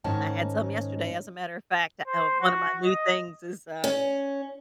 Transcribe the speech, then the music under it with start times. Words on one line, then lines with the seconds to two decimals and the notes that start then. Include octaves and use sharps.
I had some yesterday, as a matter of fact, uh, one of my new things is, uh,
0.04 G#2 D#3 C#4 D#4 A5
2.07 C5
2.41 F#4
2.84 D#5
3.84 C#4